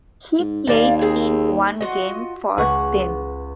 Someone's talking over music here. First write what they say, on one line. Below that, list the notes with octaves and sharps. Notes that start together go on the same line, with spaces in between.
He played in one game for them.
G#2
D#2 A#3 D5 F5
C4 G#4
F4 F#4 D#5
C#2 G#4 B4 F#5 C#6